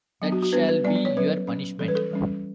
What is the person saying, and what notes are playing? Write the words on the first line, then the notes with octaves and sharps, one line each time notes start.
That shall be your punishment.
F#3 B3 D4
F#4
F#4
G3 B3 D4 B4
B4
G3 B3 D4 D5
D5
C#5
F#3 C#4 B4
F#3 C#4
E3 G3 C#4 A4
B4
A4
E3 G3 C#4